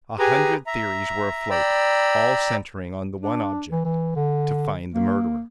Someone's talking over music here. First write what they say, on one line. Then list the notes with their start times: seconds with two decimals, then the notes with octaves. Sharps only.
A hundred theories were afloat, all centering on the one object--to find the murderer.
0.19 G4 G#4 B4 G#5 A#5
0.67 E5 A#5
1.50 D5 G5 A#5 B5 E6
3.21 D4
3.71 E3
3.85 E3
4.16 D3
4.94 A#3